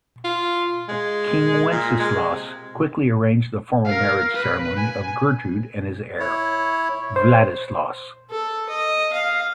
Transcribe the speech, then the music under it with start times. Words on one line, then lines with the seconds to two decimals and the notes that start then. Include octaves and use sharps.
King Wenceslaus quickly arranged the formal marriage ceremony of Gertrude and his heir, Vladislaus.
0.24 F4
0.88 G#3
1.71 A#2
1.99 G#3
2.30 C3
3.85 A#4 F5
4.35 B4
4.77 G#5
6.19 E4 C#5
7.16 C5
8.30 A4
8.69 D#5
9.13 F5